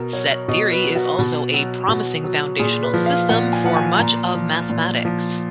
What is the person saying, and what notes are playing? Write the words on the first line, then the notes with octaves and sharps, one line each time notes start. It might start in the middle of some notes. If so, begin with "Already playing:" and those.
Set theory is also a promising foundational system for much of mathematics.
Already playing: B2 A#4
F#3 C#5
B2 D#5
B4
F#3
F#4
B2
F#3
B2 F#4
F#3
A#2 G#4
B4
F3
F5
A#2 F#5
G#5
F3 F#5
G#5
A#2 A#5
F3
A#2
F3